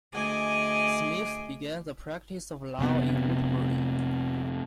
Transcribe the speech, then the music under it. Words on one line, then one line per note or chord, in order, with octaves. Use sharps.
Smith began the practice of law in Woodbury.
D2 G#4 D#5 G#5 D6
F1 C3 B3